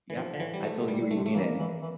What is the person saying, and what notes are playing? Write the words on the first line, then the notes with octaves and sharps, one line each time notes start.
Yeah, I totally hear what you mean, and,
E3
G2 F3
D3
A2 E3
G3
A#2 A3
C3
G3
A#2
A3
C3
A3
E3 A#3
E3
E3